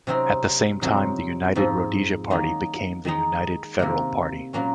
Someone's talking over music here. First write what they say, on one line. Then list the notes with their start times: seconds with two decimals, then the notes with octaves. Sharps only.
At the same time the United Rhodesia Party became the United Federal Party.
0.07 C3 F#3 C4 D#4
0.81 F2 C3 F#3 C4 D#4
1.55 G#2 F3 C4 D#4
2.30 D#3 F#3 A#3 D#4
3.05 D#3 G#3 D#4
3.79 C3 D#3 A#3
4.53 A#2 F#3 A#3 C#4